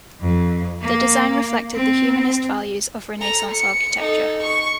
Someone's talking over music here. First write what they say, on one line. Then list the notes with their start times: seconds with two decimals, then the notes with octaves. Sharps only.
The design reflected the humanist values of Renaissance architecture.
0.21 F2
0.82 A#3
1.74 C4
3.18 A4 A#5
3.52 C#7
3.98 D#4 A4
4.43 C#6